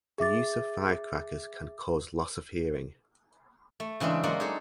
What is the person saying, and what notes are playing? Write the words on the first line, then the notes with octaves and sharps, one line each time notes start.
The use of firecrackers can cause loss of hearing.
G#4 E5 D6 A6
A3
C#3 E3 G#3 C4 D4
F#3 G#3 A#3 A#4 D5 F#5
D#4 G#4 A4